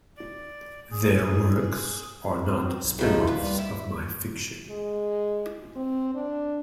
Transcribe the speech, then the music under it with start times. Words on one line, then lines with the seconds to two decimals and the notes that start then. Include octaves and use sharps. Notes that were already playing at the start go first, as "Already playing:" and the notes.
Their works are not spinoffs of my fiction.
0.17 D5
0.91 G#4
2.47 F#3 C4
2.83 B1
2.99 C#3 F3 D#4 E4
3.27 F4 B4
3.40 D2 G3
3.59 E4 B6
4.70 G#3
5.76 C4
6.14 D4